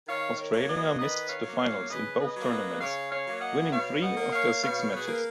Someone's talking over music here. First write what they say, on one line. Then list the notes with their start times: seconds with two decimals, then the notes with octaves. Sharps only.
Australia missed the finals in both tournaments, winning three of their six matches.
0.08 D#3 C#5 F5
0.38 A#4 C#5
0.53 F#3 A#3
0.68 B4 D#5
0.98 D#3 B4 D#5
1.28 C#5 F5
1.44 F#3 A#3
1.59 C#5 F5
1.89 C#3 B4 D#5
2.20 B4 D#5
2.36 F#3 A#3
2.50 B4 D#5
2.80 C#3 C#5 F5
3.11 C#5 F5
3.27 F#3 A#3
3.41 D#5 F#5
3.72 B2 C#5 F5
4.02 D#5 F#5
4.17 A#3
4.32 C#5 F5
4.63 B2 C#5 F5
4.93 G#4 B4
5.08 A#3
5.14 A#4